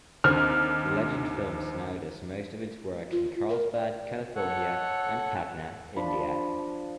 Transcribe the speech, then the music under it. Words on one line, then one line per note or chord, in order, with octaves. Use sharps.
Legend Films now does most of its work in Carlsbad, California and Patna, India.
D#2 D3 C4 F6
F4
A#4
D5
A4 C#5 F#5
F3 D4 B5